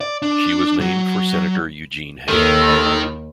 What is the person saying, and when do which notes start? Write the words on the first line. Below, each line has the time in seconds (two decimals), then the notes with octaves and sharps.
She was named for Senator Eugene Hale.
0.01 D5
0.22 D4
0.80 F#3
2.29 D#2 D#3 A4